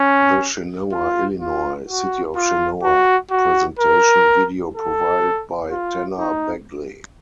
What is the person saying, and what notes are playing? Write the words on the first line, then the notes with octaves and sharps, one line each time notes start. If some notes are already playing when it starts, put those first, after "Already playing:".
The Chenoa Illinois, City of Chenoa Presentation video Provided by Tanner Bagley.
Already playing: C#4
F4
F4
F#4
F4
F#4
F#4
A#4
A4
F4
D#4